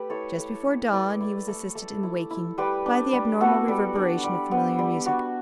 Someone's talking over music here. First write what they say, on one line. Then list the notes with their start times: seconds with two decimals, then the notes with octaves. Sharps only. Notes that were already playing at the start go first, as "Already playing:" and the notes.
Just before dawn he was assisted in waking by the abnormal reverberation of familiar music.
Already playing: A3 G4 B4
0.10 E4 A4 C#5
0.38 A3
0.64 A3
0.92 E4 B4 D5
1.21 E4
1.48 A3
1.75 A3
2.03 E4
2.30 E4
2.58 G3 G4 B4
2.86 D4
3.13 G3
3.40 B3 F#4 A4
3.68 G3
3.95 D4
4.23 G3
4.51 B3
4.79 G3
5.06 D4 F#4